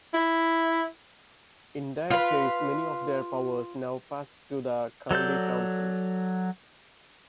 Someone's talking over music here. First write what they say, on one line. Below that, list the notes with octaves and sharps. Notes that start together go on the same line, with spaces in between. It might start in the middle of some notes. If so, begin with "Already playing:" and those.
In their case many of their powers now passed to the county council.
E4
F4 B4
F#3 A4 D5 G6